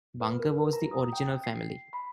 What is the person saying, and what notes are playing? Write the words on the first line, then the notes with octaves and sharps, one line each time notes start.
"Bunker" was the original family.
B4
A#4
A#5
D#6
G5
C7
B5